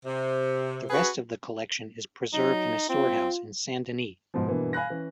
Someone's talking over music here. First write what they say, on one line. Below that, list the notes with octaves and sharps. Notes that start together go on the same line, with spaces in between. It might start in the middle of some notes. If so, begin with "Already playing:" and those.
The rest of the collection is preserved in a storehouse in Saint-Denis.
C3
C#4 F#4 G#4 B4
F#3 D#4
C4 F4
G#2 B2 F3
G2 B2 E3 A#3
F5 G#5 B5 F#6 A#6
E3 C#4